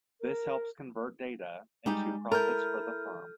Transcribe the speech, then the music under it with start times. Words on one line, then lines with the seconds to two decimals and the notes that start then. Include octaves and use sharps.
This helps convert data into profits for the firm.
0.21 A#4
1.86 G3 G#3 D#4 G4
2.32 E4 A4 A#4 F6 G6